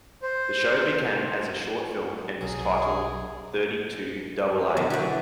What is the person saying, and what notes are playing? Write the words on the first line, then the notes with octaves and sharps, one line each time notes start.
The show began as a short film and was titled "Thirty-Two Double A".
C5
B1 F#3 G#4
B2 D3 F#3
E3 G4 D5 F#5